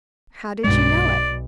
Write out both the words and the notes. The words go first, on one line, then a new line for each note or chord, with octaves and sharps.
"How did you know it?"
B1 G2 G#3 D5